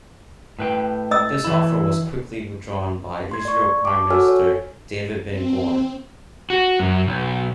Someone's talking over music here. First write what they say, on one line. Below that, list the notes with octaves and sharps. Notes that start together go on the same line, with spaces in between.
This offer was quickly withdrawn by Israeli Prime Minister David Ben-Gurion.
A2 B4 G5
D#5 E6
E3 E4
C6 G#6
D5 C#6
A5 D6
F#4 A4 C#5 G#5 E6 F6
C#5
C4
F#4
F#2
B1